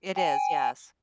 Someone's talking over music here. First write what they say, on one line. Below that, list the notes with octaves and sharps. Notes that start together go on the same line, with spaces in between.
It is, yes.
G5 G#5